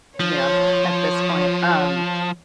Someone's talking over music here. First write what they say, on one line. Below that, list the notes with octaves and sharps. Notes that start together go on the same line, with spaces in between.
Yeah, at this point. Um
F3 C#5